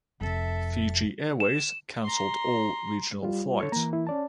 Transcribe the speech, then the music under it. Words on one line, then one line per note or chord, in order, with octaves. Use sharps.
Fiji Airways cancelled all regional flights.
F1 F2 C3 A4 E5
E7
A#5 C6
G3 F4
D3 A4 C#5
E3 A#3 A#5
E4
C#4 D5 A5